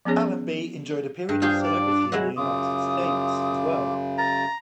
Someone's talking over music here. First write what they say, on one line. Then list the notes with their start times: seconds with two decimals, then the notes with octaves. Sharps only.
Allenby enjoyed a period of celebrity in the United States, as well.
0.05 F3 B3 C#4 G#4 C#5
1.29 G2
1.42 D4 F4 G4 G#4 C5
1.63 D5
2.12 F#3 G#3 E4 F#4
2.37 F#2 C#3 F4 D6 D#6
4.18 A#5 A6